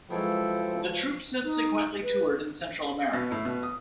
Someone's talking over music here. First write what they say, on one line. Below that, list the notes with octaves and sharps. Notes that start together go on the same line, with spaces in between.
The troupe subsequently toured in Central America.
B2 F3 F#3 G#3 E4 A4 G5
D#4
B4
B2
A2
B2
D#6